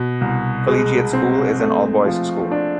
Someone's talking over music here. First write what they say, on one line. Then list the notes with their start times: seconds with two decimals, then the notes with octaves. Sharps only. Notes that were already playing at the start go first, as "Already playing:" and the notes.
Collegiate School is an all-boys school.
Already playing: B2
0.21 C2
0.67 G#3
1.13 C4
1.59 A3
2.06 F3
2.51 D4